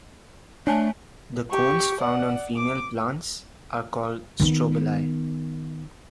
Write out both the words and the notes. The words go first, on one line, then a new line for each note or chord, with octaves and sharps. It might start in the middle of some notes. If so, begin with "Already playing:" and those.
The cones found on female plants are called strobili.
A3 D4 C#5 G#5 A5
G4 C#6
D5 F#5
D6
D#3 B3